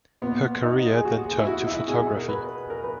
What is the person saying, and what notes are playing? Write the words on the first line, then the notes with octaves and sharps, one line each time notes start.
Her career then turned to photography.
A#2 B3
D#4
G#4
F#4
G#4
E4
F#4
E4
B2 G#4
A#4
B4
A#4
B4